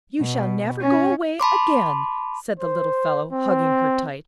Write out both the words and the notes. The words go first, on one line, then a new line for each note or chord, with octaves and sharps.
"You shall never go away again," said the little fellow, hugging her tight.
B2
C#4
A5 B5 C6 D6
C5
C4